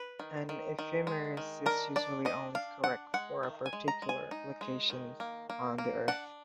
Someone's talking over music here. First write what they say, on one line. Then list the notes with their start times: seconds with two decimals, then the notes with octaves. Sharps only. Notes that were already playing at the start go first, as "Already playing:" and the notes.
An ephemeris is usually only correct for a particular location on the Earth.
Already playing: B4
0.19 D#3
0.49 D#3
0.79 D#3
1.07 G#3
1.37 D#3
1.66 D4 A#4
1.96 D4 D5
2.25 D4 D#5
2.55 D4 F5
2.84 D4 F#5
3.14 G#3 F#5
3.43 D#3
3.66 G#5
3.73 G#3
3.88 A#5
4.02 G#3
4.09 G#5
4.31 D#4
4.61 G#3
4.90 D#3
5.20 A#3
5.50 A#3
5.78 A#3
6.08 D4 F#5